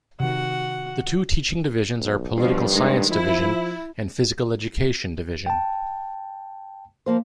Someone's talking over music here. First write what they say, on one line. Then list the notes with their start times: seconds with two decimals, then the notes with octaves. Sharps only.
The two teaching divisions are Political Science Division and Physical Education Division.
0.20 C3 D#3 F#4 F#5
2.00 B1
2.37 G2 B2 F3
2.70 D#3 G#3
3.10 F3 E4
5.46 G5 A5
7.06 F3 A#3 C5